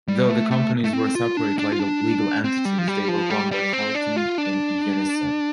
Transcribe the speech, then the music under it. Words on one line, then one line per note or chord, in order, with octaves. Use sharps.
Though the companies were separate legal entities, they were run by Carlton in unison.
G3
A3
A3
A3
C4
F4
D4
D4
F4
D4
C4
G3
F3
G3
F3
G3
G3
C4
D4
F4
D4